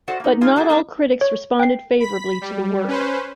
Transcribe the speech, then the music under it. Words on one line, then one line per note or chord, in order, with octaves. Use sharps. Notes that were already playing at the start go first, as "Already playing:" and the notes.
But not all critics responded favourably to the work.
F#4 A4 C5 D5 F#5
A#3 D#4
G3 C#4 D#4 F4 G#4
A#3 F#4 G#4 A4 B4
G3 A#3 C4 D4 D#4 A#4
C#5
G5 C7
B5 B6
G3
C#4 B4 C5